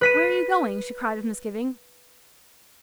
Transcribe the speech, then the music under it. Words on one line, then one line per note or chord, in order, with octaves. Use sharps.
"Where are you going?" she cried with misgiving.
B4 B6 D#7